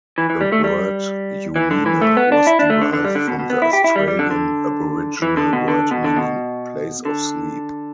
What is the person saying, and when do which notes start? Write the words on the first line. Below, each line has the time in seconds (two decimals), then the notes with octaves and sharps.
The word "Umina" was derived from the Australian Aboriginal word meaning "Place of sleep".
0.18 E3
0.30 E3
0.41 G3
0.52 A3
0.64 G3
1.56 E3
1.71 D3
1.86 E3
2.01 A3
2.17 B3
2.32 D4
2.47 E4
2.59 D4
2.70 A3
2.82 D3
2.93 D3
3.05 G3
3.15 D3
3.28 B2
3.39 B2
3.50 B3
3.62 E4
3.73 G4
3.84 E4
3.96 G3
4.08 G3
4.19 D3
4.31 D3
5.22 E3
5.37 D3
5.53 B2
5.68 D3
5.91 B2
6.04 D3
6.17 B2
7.05 D3